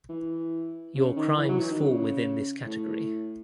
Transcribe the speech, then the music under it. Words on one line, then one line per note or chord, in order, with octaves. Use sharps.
Your crimes fall within this category.
E3
C#3
D#3
E3
F#3
E3
D#3
C#3
A2